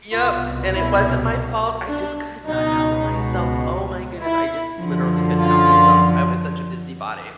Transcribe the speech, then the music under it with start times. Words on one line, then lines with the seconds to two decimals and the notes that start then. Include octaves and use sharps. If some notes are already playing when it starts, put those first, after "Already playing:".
Yep, and it wasn't my fault, I just could not help myself, oh my goodness, I just literally couldn't help myself. I was such a busy body.
0.12 C2 B2 F4
0.72 E4
1.89 D4
2.47 C#2 B2 D#4
4.23 E4
4.82 F#2 D3 F3
5.41 F4